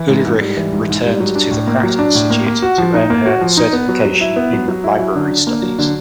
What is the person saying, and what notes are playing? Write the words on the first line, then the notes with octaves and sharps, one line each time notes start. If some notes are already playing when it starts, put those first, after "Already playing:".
Ulrich returned to the Pratt Institute to earn her certification in library studies.
Already playing: E3
G#2
G#2
G3
E3
G#2
G#2
G3
F#3
D4
A2
A#3
F#3
D4
A2
A#3
A#3
F#4
F3
D#4
A#3
F#4
F3
D#4
B3
F#3
F#3
E4
B3
F#3
F#3
E4
F#3
D3
D3
A#3
F#3
D3